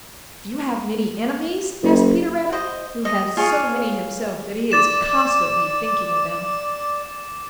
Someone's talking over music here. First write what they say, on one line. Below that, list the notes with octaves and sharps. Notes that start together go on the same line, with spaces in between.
"Do you have many enemies?" asked Peter Rabbit, who has so many himself that he is constantly thinking of them.
F#1
C5 D#5
D#5
F4 G#4 C#5 F5
D5 D6 A6 E7